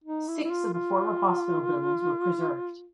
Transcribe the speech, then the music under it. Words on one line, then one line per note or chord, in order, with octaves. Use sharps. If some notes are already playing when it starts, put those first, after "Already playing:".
Six of the former hospital buildings were preserved.
D#4
E4
E4
F4
F4